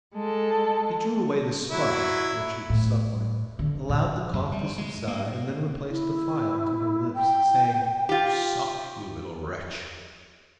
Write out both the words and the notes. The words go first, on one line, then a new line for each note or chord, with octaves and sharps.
He drew away the sponge which she was sucking, allowed the cough to subside, and then replaced the phial to her lips, saying, "Suck, you little wretch!"
G#3 A4
F#3 E4
A2
D3
A#2
F#2
G3
G#3
A#3
E4
G5
F4 G4